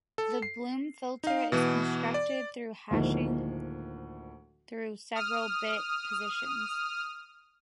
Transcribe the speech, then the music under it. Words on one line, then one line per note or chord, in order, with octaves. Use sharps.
The bloom filter is constructed through hashing through several bit positions.
A4
C7
D#4 F5
B2 E3 B3
D5
D2 A2 D#3 F3 G#3 A#3
D#6 F6